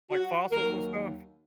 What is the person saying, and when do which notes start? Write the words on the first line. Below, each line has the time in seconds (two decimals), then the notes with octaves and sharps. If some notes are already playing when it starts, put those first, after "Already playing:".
Like fossils and stuff?
0.11 F#4
0.50 D#2 D#3 F#3 A#4